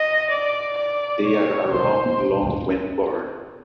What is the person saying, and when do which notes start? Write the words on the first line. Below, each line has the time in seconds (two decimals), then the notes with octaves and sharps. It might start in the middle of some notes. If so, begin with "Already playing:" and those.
They are around long when born.
Already playing: D#5
0.31 D5
0.78 D5
1.26 C#5
1.72 C5